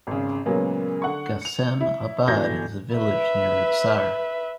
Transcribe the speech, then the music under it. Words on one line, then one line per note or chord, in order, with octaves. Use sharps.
Ghassem Abad is a village near Rudsar.
G#1 C#3
A#2 C#3 F#3 G#3 A#3 B3
D3 F#5 C#6
C#7 F7
E4
G1 E3 F#4 G6 G#6 A#6
B4 E5